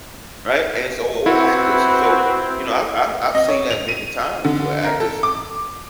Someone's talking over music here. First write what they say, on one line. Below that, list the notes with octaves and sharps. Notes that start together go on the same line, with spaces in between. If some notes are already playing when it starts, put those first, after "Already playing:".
right, and so o or actors, and so, you know, I've I've I've seen that many times where actors,
C4 E4 F#4 B4
D#5
C#5
F7
D#7
D3
A#4
A4
D6